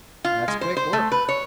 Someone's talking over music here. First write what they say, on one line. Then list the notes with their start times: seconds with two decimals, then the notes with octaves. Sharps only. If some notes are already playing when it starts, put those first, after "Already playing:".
That's quick work.
0.24 F4
0.48 G#3
0.61 C5
0.77 C5
0.93 A3
1.12 B4
1.28 C#5